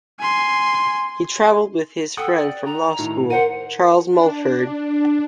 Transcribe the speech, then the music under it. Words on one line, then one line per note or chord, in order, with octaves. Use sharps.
He traveled with his friend from law school, Charles Mulford.
G#5 C6
A4 F#5 G5 D#6
D5
A#5
A2 D#3
A#4 C5 F#5 D#7
D4